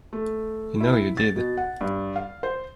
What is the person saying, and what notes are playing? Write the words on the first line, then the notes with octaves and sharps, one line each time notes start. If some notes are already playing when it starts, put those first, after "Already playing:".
You know you did.
A3
E4
A6
B2
F#5
G2
F5
C5